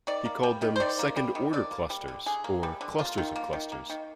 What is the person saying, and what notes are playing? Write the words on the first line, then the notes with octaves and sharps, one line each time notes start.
He called them "second-order clusters", or clusters of clusters.
D#3 D5
A#3
G3
D#3
C5
D#3 D5
A#3
G3
D#3
D3 D5
A#3
G3
D3
D3 G#4
A#3
G3
D3
A#3 F4
D#3
A#3
D#3
A#3
D#3